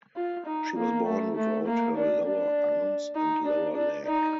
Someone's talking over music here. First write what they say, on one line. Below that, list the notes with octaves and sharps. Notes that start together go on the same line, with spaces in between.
She was born without her lower arms and lower leg.
F4
D#4
A#3
A3
A3
A#3
D4
D4
D#4
D4
D4
D#4